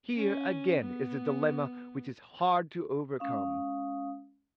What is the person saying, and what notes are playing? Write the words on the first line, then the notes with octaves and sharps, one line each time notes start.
Here again is a dilemma which is hard to overcome.
C#4
B3
G#3 C#4 F5 D#6